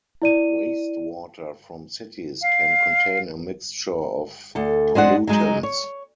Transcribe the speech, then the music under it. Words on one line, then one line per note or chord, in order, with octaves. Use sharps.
Wastewater from cities can contain a mixture of pollutants.
E4 D5 D#7
F5
D2 A4
G#3 D4 C5 F#5
F#3 G#3 D#4
C#5